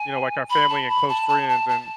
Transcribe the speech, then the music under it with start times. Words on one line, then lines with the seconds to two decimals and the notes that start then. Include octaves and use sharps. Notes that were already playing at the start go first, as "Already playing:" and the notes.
you know, like our family and close friends, and
Already playing: G#5
0.50 B5
0.69 A5
0.89 B5
1.09 A5
1.29 A5
1.49 A5
1.69 A5